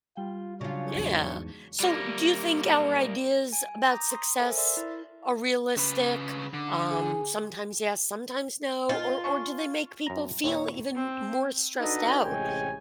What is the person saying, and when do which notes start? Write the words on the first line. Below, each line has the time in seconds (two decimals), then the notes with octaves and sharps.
Yeah. So, do you think our ideas about success are realistic? Um, sometimes yes, sometimes no? Or or do they make people feel even m more stressed out
0.17 G3 F4 G5
0.61 C#3 F#3 D4 F4 C#5
0.95 E2 G#2
1.80 G3 A#3
3.53 G#5 D7
3.86 A#5 D6 D#6 G6 A#6
4.10 C6 D#6
4.39 A4 A#4 C5 E5 G#5
4.57 D5 E5 C6 E6
4.73 E4 A#4
5.77 C#3 B4
6.53 D3
6.91 G#4
8.89 D#4 F4
9.24 C#4 D4 C#6
10.07 F#2 A#5
10.44 D#2 A#2 E4 C#5
10.95 C4
11.80 D4 D#4 F#4 A4 B4 D#5
12.23 A1 C3 G#3 C#5 G5 G#5